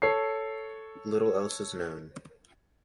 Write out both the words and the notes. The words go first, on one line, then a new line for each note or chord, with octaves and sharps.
Little else is known.
A4 C#5 C7